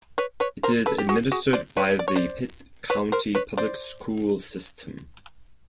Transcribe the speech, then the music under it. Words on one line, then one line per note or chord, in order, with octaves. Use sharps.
It is administered by the Pitt County Public School system.
B4 C#5
B4 C#5
A#4 C5
A4 B4
G4
F#4 G#4
F#4 G#4
C5 D5
B4 C#5
D5
C#5
C5 D5
B4 C#5
A#4 C5
B4 C#5
C5 D5